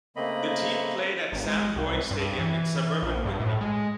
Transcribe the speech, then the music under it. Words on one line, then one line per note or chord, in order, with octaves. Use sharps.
The team played at Sam Boyd Stadium in suburban Whitney.
C#3 A3 A#3 C4 D#5 B5
G#1
G#3
C2
G2
E3
E3
A#1
G2
A2
G#3